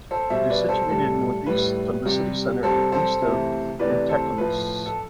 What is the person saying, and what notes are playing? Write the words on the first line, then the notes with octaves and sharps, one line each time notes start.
It is situated northeast from the city center and east of Antakalnis.
A4 C5
B2 G3 C5 E5
B4 D5
A4 C5
A2 G3 A4
A2 G3 B4
C3 G3
C3 G3 A4 C5
A4 C5
C3 E3 A3
C3 E3 A3 B4 D5
A4 C5
A2 F3 A3 B4
A4